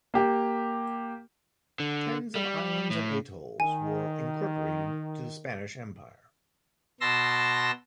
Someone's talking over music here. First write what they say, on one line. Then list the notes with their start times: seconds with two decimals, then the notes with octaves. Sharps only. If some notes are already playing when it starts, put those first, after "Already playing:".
Tens of islands and atolls were incorporated to the Spanish Empire.
0.14 A#3 G4
1.80 D3
2.35 G3
2.91 A2
3.60 D#3 G#5
7.01 B2 A5 C6 E6 A#6